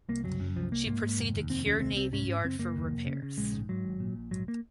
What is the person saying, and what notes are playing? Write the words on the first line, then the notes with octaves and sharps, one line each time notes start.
She proceeded to Kure Navy Yard for repairs.
C2 A#3
F#1 F#3
F#2
C2 F3
C2 A#3
G#2 A#3
G#2
F1
D#2
F1 C4
D#2 C#4
C2 C4
C2 C4
G#2 C#4
G#2
F#1 C4
F#1 A#3
D#2
F1
C#3
C#3
A#1 G#3
G#2
G#2 F#3
G#1
A#2
A#1
G#2 F#3
A#3